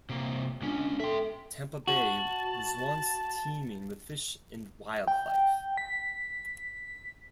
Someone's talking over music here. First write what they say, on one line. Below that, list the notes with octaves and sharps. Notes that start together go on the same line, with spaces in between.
Tampa Bay was once teeming with fish and wildlife.
C3 A#3
C#2 G#3 B3 C#4 D4
A4 E5 G5 C6
F#4 A5
G5
B6